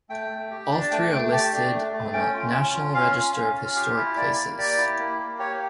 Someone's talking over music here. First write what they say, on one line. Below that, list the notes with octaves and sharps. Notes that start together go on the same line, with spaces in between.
All three are listed on the National Register of Historic Places.
A3 G5
A3
G4
D4
A5
A3 G5
A3 G5
G4 A5
D4
A3
A3
C#4 G5
F4
C#4
F4
C#4 F5
F4
C#4
F4
G4 F5
E4 E5
A#3 D5
A#3
G4 D5
E4
A#3
A#3
G4 C#5